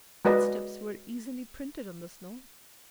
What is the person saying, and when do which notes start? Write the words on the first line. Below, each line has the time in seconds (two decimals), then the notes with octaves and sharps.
Footsteps were easily printed on the snow!
0.25 G#3 F#4 B4 D5 D#5